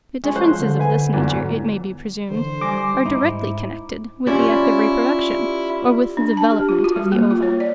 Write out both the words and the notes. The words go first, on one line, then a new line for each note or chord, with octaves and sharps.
But differences of this nature, it may be presumed, are directly connected with the act of reproduction, or with the development of the ova.
G#3 C#4
F3 C5 F#6
D3
B4 G#5
E2 G#2 F#3
D3 E3 C5
G3 G#5 D6 A#6
G#2 D#4 E4
C#4 E4 F4 G4 D5
D4
A5
G4
F4
F#4
G3
A#3
F4
C#5
D5